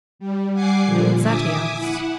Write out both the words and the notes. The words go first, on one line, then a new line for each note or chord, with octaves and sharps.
"What's that?" he asked.
G3
G3 F#5 G#5 D6 C7
A#2 D3 F3
E5 G#5 D6 D#6
E4 F#5